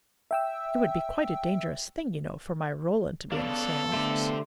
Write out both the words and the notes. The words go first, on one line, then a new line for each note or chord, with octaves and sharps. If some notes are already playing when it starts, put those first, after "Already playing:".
"It would be quite a dangerous thing, you know, for my Roland to be in the same office."
E5 G5 E6
C#3 B3 D4 A4 F5
D3 A3 G4 C5